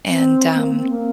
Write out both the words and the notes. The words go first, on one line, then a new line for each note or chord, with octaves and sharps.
and, um,
C4
A#3
C4
A#3